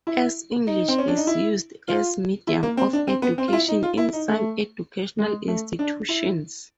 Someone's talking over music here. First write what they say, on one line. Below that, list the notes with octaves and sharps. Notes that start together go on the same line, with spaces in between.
As English is used as medium of education in some educational institutions.
E4
D#4
C4
C#4
D4
D#4
E4
F4
E4
A#3
C4
D4
C4
B3
C4
F4
E4
D#4
F4
E4
D#4
A3
G#3
A3
D4
E4